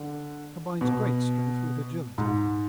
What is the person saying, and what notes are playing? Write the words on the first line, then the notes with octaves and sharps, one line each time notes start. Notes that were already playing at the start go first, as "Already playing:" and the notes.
Combines great strength with agility.
Already playing: D3
B2
G#2